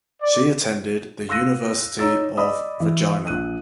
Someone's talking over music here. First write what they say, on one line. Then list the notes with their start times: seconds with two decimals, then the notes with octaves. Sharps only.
She attended the University of Regina.
0.22 D5
1.29 F5 C6 E6 F#6 A#6 D#7
1.99 D#4 C#5 A#5 E6 A6
2.37 D5 D#5 B5 D#6
2.80 E3
3.27 A#1 F#6 D#7